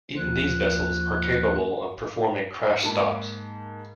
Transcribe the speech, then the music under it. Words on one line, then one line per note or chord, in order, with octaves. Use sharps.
Even these vessels are capable of performing "crash stops".
D#2 F3 F4 F#6
G#2 A#3 A5 B5